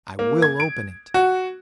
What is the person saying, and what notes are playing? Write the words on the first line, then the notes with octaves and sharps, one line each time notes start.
I will open it!
A#3
G#6
D7
F#4